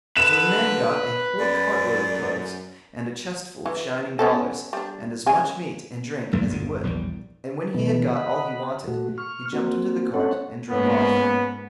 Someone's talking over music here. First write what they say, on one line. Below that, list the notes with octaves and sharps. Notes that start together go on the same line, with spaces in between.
So the man got a whole cart-load of clothes, and a chest full of shining dollars, and as much meat and drink as he would; and when he had got all he wanted, he jumped into the cart and drove off.
D3 B4 E7
F#2 D5
E3
B3 C#4 A4
G3 D4
C#3 G#3 G#5
B1 F#2 A3 A#3
G1 E2 A#2 D3
A#1 E2 D#3 G3
B2 D#3 E3 B3
D#5 F#5 B5
A#2 A3 F#4
C#6 F6
A#3 C4 F#4
C4 C#4 A4 C#5 F#5
G#2 A#3 B3 C#4